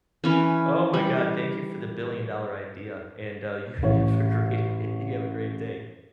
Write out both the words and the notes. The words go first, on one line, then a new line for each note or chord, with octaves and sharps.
Oh my god. Thank you for the billion-dollar idea, and, uh, you have a great day you have a great day.
E3 C#4 B4
G3
A1 C#5